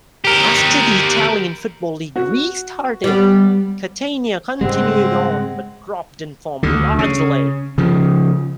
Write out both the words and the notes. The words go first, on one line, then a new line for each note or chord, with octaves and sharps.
After the Italian football league restarted, Catania continued on but dropped in form largely.
G4 A#4
F#4
G3 B3
G#2 C#3 G3 G#3 C4 F#5
D2 D3
C#3
C#3 F3